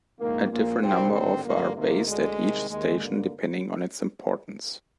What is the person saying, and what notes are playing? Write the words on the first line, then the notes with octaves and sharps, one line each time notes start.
A different number of are based at each station depending on its importance.
A#1 G#2 D#3 A#3
A#1 A#2 A#3
C2 A#2 C4
G#1 G2 D3 C4
G1 G2 D3 A#3
D2 C3 D#3 A#3
D2 D3 G#3
C2 C3 D#3
D#2 D#3 G#3
G#1 G2 D3 A#3